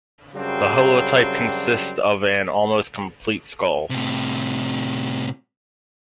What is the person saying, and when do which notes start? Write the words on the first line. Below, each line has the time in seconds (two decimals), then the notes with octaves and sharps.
The holotype consists of an almost complete skull.
0.35 F#2 C#3 F#3 G3 C4 D4
3.90 A2 C3